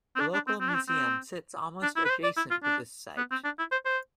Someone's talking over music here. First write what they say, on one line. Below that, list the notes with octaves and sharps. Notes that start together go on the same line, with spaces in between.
The local museum sits almost adjacent to this site.
C4
D4
D4
C4
C4
D4
C4
C4
D4
E4
B4
C5
D5
E4
F4
D4
B3
C4
D4
E4
C5
C5